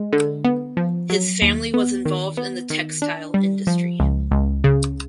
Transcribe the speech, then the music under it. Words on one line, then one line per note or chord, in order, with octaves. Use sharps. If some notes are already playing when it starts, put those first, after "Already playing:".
His family was involved in the textile industry.
Already playing: G#3
D3
B3
F3
F#3
D#2
B3
D#3
B3
D#3
D4
G3
F3
C#2
C#2
C#3